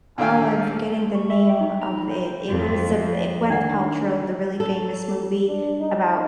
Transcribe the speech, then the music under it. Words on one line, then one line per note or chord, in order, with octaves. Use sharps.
oh, I'm forgetting the name of it. It was a it Gwyneth Paltrow, the really famous movie about
D#2 A#2 D3 F5 G5 G#5
C#6
E5
G5
D#4
A#5
B5
G6
F2
D3 D#3 D4 F#5
A4
D4
D#4